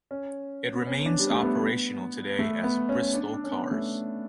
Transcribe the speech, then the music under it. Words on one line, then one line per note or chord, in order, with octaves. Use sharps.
It remains operational today as Bristol Cars.
C#4
B3
C#4
D4
G3
A3
B3
A3
B3
C#4
D4
D4
C#4
B3
A3